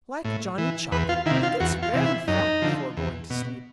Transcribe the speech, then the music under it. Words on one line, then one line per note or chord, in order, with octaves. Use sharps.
Like Johnny Chuck he gets very fat before going to sleep.
A2
E3
E2 B4
F4
D#3 E4
C3
F4
E2 F#4
F4
C3 E3
E4
F#2 D#4
D3 F3
E2
B2